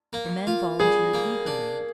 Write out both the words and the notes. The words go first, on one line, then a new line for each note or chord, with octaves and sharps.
The men volunteered eagerly.
A#3
F4
G3 G#4
A#3
D4